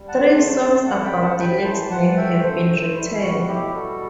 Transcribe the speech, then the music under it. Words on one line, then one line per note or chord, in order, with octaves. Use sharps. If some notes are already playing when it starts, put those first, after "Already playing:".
Three songs about the lake's name have been written.
Already playing: G3
E2 F#5 A5
A3 A5 C6
A3
F#2 F#5 A5
G5 B5
F#2
F#5 A5
A2 G5 B5
E3 A5 C6
E3 F#5 A5
A3 E5 G5
F#2 A4 C5
A3
G3 E4
A2 F#4
B2 E4 G4
G3 F#4 A4